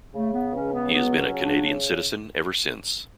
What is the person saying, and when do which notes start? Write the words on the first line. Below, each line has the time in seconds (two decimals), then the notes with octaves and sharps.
He has been a Canadian citizen ever since.
0.14 C#3 A3
0.34 B3
0.53 C#2 C#4
0.72 B3
0.92 F#3 B3
1.18 C#4
1.32 C#3
1.44 D4